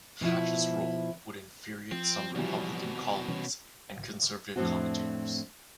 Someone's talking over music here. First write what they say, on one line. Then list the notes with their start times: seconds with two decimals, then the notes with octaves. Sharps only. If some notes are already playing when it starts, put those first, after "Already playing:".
Hatch's role would infuriate some Republican colleagues and conservative commentators.
0.21 B2 F3 E4
1.92 F3 C4
2.35 C2 B2 E3 F#3 G3
3.28 C3 E3 G3 C#4
4.56 F2 A2 A3 C4 D4 F#4